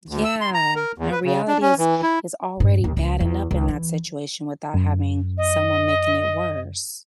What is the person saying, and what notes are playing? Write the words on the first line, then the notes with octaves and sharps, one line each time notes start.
Yeah, and reality is is already bad enough in that situation without having someone making it worse.
D2
E6
C6
A#5
A#4
E2
B4
C#3
D4
C#4
E3
E4
G2 C#4
D#2
C#2
E2
C#2
E3
F#2
D#5